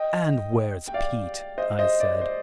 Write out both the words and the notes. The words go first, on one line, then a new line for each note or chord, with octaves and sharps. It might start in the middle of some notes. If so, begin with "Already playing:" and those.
"And where's Pete?" I said.
Already playing: D#5 G5
G5
D5 F5
C5 D#5
C5 D#5
D5
C5